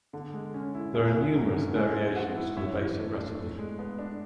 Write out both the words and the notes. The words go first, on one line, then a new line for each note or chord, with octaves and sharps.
There are numerous variations to the basic recipe.
D3
G#3
C#4
E4
E2 E4 G#4
D3
F#3
C#4
G#2 E4 G#4
G#3
B3 F#4
E4
F#2 C#5 E5
E3
A3
D4
A2
G#3
B3
D4